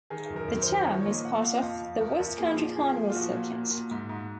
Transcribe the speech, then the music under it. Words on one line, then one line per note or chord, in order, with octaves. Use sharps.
The town is part of the West Country Carnival circuit.
D#3 G#4
F#2
A#4
F#2
C5
D#3
F3 C#5
C#5
A#2 D#5
A#2 F#5
F3 F5
D#5
F2 F5
F2
F2 A#4
F2
A#2 G#4
F3
F3 G#4
A#2
F4
F3 F#4
A#2
A#2
A#2
G#2
G#2